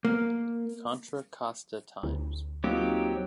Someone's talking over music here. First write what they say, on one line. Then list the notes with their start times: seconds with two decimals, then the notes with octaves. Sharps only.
Contra Costa Times.
0.05 A#3
2.03 D2
2.64 F#3 A#3 C4 D#4 F4 G4